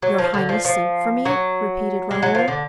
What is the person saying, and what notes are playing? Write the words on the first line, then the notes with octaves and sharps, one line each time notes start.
"Your highness sent for me?" repeated Raoul.
F#3
F3
D3
F3
F3
F#3
G#3
F#3
F3
D3